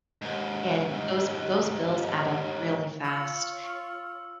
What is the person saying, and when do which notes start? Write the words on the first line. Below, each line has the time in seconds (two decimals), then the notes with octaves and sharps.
and those those bills add up really fast
0.22 D#2 G#2
3.04 F4 C#5 E6